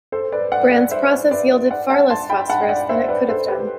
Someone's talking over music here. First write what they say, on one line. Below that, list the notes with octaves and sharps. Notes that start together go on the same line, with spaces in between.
Brand's process yielded far less phosphorus than it could have done.
A4 C5
B4 D5
D5 F#5
D5 F#5
C5 E5
B4 D5
D5 F#5
F#5 A5
A5 C6
G5 B5
F#5 A5
G5
D5 F#5
C5 E5
B4 D5
A4 C5
G4 B4